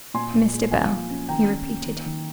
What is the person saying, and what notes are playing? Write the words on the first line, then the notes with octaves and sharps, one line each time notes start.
'Mr. Bell,' he repeated.
A#2 G#5 C6
A#2
G#3
F3 F5 G#5
A#3
C#4
D#3 G5 A#5
C#4
A#3
D#3
D#3